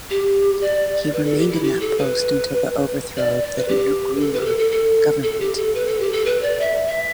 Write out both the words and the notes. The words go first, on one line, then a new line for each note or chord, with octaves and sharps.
He remained in that post until the overthrow of the Nkrumah government.
G4
D5
B4
A4
G4
E4
G4
A4
B4
D5
D5
B4
G4
B4
A4
B4
G4
A4
A4
A4
A4
G4
A4
B4
A4
G4
A4
B4
D5
E5
E5